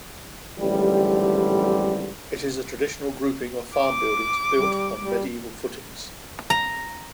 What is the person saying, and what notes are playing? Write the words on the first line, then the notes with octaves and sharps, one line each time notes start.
It is a traditional grouping of farm buildings built on medieval footings.
A1 F2 G#2 D3 G3
D6
G3
G3
A#5